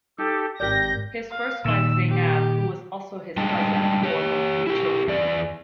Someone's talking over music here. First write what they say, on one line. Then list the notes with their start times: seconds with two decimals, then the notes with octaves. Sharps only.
His first wife Zeynab, who was also his cousin, bore him three children.
0.18 D#4 G4 A4
0.60 G#1 G4 A#4 D5 G6 A#6
1.31 F5
1.65 A#2 D#3 E6
2.09 G4
3.37 G3 G#3 D4 D#5 G5 A5
4.03 G4 C#5
4.67 E4 G4
5.08 E2 D5